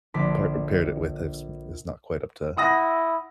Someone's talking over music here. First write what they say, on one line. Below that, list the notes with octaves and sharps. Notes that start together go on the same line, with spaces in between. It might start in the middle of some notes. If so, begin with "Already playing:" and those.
pa uh, paired it with is is not quite up to
A#1 D3 C6 D6 B6 D7
E4 F#5 D#6 A#6